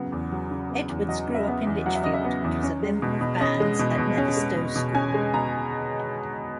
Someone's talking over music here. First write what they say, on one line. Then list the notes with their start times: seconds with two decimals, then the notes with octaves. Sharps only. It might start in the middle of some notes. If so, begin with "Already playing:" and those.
Edwards grew up in Lichfield, and was a member of bands at Netherstowe School.
Already playing: C#3 F#3 B3
0.12 E2
0.32 F#3
0.51 C#3
0.70 B3
0.89 E2
1.09 F#3 D#5
1.28 C#3
1.35 E5
1.48 B3
1.67 E2
1.86 F#3 F#5
1.95 E5
2.04 C#3 D#5
2.14 E5
2.25 B3
2.44 E2
2.63 C#4
2.83 G#3
3.02 B2
3.21 B2
3.40 C#4 D#5
3.60 G#3
3.79 B2
3.98 B2
4.18 C#4
4.37 G#3
4.56 B2
4.76 B2
4.95 C#4 G#5
5.14 G#3
5.34 B2 A#5